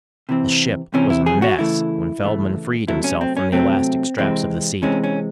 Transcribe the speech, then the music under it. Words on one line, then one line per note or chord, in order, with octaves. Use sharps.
The ship was a mess when Feldman freed himself from the elastic straps of the seat.
C3 E3 C4
C3 E3 C4 C#4
E4
G#4
F#4
C#3 E3 A3 E4
C#3 E3 A3
C3 F#3 A3 E4
C#4
C4
C#4
C3 F#3 A3 C4
C3 E3 G#3 C4
C3 E3 G#3 C4 C#4
C#4